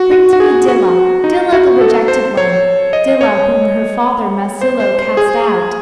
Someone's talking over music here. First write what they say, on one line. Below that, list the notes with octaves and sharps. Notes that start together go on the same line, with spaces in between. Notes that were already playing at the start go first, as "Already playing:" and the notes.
Bring to me Dilah, Dilah the rejected one, Dilah, whom her father Masilo cast out!
Already playing: F#4
F#4
F#4
G#4
F#4
D#4
F#4
A4
C5
C#5
D#5
C#5
C5
C5
C5
G#4